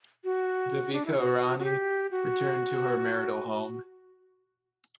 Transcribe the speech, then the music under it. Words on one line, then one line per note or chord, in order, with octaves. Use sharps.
Devika Rani returned to her marital home.
F#4
D4
E4
F#4
F#4
G4
F#4